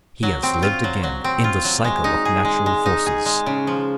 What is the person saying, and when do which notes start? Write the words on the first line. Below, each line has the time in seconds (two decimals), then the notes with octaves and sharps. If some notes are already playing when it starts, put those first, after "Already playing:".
He has lived again in the cycle of natural forces.
0.23 F#3
0.43 C4
0.63 F4
0.84 F#3
1.03 F#3
1.24 C4
1.44 F4
1.64 F#3
1.84 G#3
2.04 D#4
2.25 G#4
2.45 G#3
2.66 G#3
2.86 D#4
3.06 G#4
3.26 G#3
3.46 C#3
3.67 F3